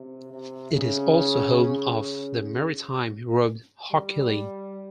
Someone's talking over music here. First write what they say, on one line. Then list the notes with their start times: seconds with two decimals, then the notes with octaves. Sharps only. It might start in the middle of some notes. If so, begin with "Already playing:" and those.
It is also home of the Maritime Road Hockey League.
Already playing: C3
0.32 C3
0.72 C#3
1.92 C#3
3.92 G3